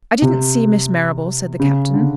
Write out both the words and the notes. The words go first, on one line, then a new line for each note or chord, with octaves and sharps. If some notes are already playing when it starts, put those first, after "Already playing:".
"I didn't see Miss Marrable," said the Captain.
C3
C#3
D3